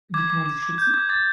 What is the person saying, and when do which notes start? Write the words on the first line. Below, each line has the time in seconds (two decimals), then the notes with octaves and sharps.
Wie kann man sich schützen?
0.14 D6 G#6
0.30 D6
0.46 D6
0.62 D6
0.78 G6
0.94 D6 G#6
1.09 D6 A6